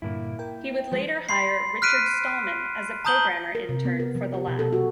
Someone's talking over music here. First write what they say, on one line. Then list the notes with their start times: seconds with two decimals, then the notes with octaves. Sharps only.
He would later hire Richard Stallman as a programmer intern for the lab.
0.02 G2 A#2 D3 A#3 E4
0.39 A#4 G5
0.92 F3 G#3
1.29 B5 C6 C7
1.82 F6 F#6 B6 D7 D#7
3.05 A5 A#5 D#6 G6 F#7 G7
3.55 A#4
3.69 C3
3.85 B3
3.99 A#4
4.15 F3
4.34 G4
4.47 B2
4.59 A4
4.73 F#4